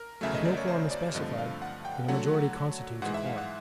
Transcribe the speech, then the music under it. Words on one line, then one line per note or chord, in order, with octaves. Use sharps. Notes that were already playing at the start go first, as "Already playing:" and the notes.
If no quorum is specified, then a majority constitutes a quorum.
Already playing: A#4
E2 C#3 F#3 A3 E5
D#5
D5
C#5
C5
D5
G2 D3 F3 A3 C4 D#5
F5
F#5
G5
D3 F#3 A3 F#5
G#2 E3 G#3 F#5
E5
F5
F#5